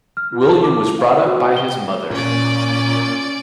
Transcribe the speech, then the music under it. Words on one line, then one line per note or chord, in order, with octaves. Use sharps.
William was brought up by his mother.
F6
F4
A5
D6
E4
F5
D5
F#4
G5
G7
A#2 C#4 D5